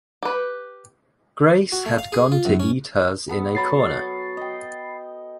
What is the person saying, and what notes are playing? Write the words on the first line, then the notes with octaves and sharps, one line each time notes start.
Grace had gone to eat hers in a corner.
G4 B4
F#4
A3
F5
G#4
F4
F#2
C#4
B3 A4 B4
F#3 F#4 B5 A6 C7
D#5 G5